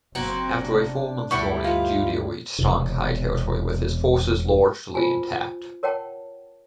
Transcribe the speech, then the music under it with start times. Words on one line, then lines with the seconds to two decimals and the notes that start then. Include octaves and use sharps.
After a four-month journey, Judar reached Songhai territory with his forces largely intact.
0.15 F#1 A#3 C4 F#4
0.61 C3 D4
1.31 D2 G2 D3 G3 E4 F#5 C#6
1.64 G#3 B3 F4
2.59 E1 E2 C3
4.94 F4 C5 G#5 A5
5.83 A#4 C#5 F#5 G5 A5